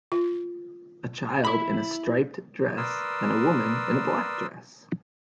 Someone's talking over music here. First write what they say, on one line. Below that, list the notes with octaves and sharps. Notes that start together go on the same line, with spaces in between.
A child in a striped dress and a woman in a black dress.
F4
E4 B5
A#4 B4 D5 C6 D#6 E6